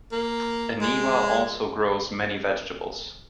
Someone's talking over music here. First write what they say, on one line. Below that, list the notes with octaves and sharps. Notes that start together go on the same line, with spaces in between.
Eniwa also grows many vegetables.
A#3
G#3